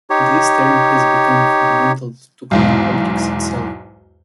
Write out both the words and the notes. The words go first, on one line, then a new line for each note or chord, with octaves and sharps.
This term has become fundamental to green politics itself.
D#4 G4 C#5
B1 E2 G#2